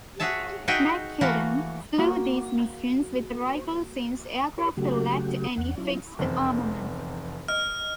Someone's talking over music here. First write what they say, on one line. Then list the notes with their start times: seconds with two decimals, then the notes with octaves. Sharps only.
McCudden flew these missions with a rifle since aircraft lacked any fixed armament.
0.20 F#4 G#4 C#5 E5 A5
0.68 D#4 F#4 G#4 E5 G5
1.21 E3 A3 A#3 F#4
1.98 A#3 F#4
4.58 G4 A#4 C#5 C6 C#6
4.77 C#3 F#3 A3 F#4 G4
5.58 E2 F#5
5.78 F#3 C#4 E4 F4
6.19 F1 E2 C4
7.48 D#5 F6